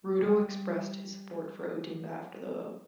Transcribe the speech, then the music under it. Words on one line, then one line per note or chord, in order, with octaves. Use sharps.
Ruto expressed his support for Odinga after the vote.
G3 D5